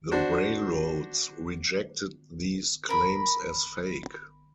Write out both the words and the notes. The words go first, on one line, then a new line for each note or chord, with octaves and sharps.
The railroads rejected these claims as fake.
D4 F#4 C5
A#4 B5